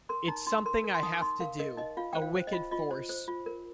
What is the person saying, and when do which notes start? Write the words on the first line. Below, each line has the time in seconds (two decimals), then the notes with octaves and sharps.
It's something I have to do - a wicked force.
0.09 A#4 C6
0.28 D#4 A#5
0.46 D#4 C6
0.66 A#4 C6
0.84 A#4
0.94 C6
1.03 D#4 D#6
1.22 D#4 C6
1.40 A#4 F5
1.59 A#4 D#5
1.77 D#4 D#5
1.97 F4 F5
2.13 C5 G5
2.22 F5
2.35 C5
2.47 D#5
2.53 F4
2.71 F4 D#5
2.91 C5
3.09 C5
3.28 F4
3.46 A#4